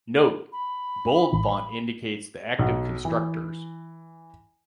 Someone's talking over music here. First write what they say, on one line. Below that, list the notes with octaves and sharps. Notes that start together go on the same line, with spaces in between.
"Note:" Bold font indicates the active constructors.
B5
A1
B1
E3